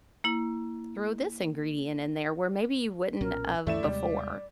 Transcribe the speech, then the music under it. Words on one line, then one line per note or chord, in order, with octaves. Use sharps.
throw this ingredient in there," where maybe you wouldn't of before.
A#3 E4
B1 A#2 C#4 A#4
D2 G2 E3 A3 E4 D5 E7
D#2 C3 G3 G#3